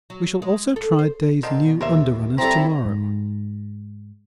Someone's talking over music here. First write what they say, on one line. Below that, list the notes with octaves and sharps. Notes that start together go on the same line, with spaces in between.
We shall also try Day's new under-runners to-morrow.
F#3
G#3
A4
C5
B2 D3 D#3 C4 D#4
D#2 A#4 C5 E5
G3 C4 E4 A4 A#5
G#2